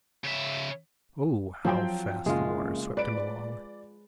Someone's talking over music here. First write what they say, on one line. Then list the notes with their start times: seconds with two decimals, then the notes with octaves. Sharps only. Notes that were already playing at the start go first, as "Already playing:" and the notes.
Oh, how fast the water swept him along!
0.24 C#3 E5
1.65 F3 F#3 C4 C5 G5
2.26 F#1 G#3 F4
2.97 B4 D5 D7